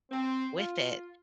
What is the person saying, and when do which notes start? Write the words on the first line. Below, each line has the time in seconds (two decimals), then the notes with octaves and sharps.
with it.
0.10 C4
0.57 F4